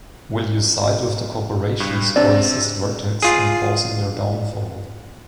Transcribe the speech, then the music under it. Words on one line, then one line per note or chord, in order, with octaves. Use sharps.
Will you side with the Corporations, or assist Vertex in causing their downfall?
G2
C3 C4 D4 D5
F4 G#4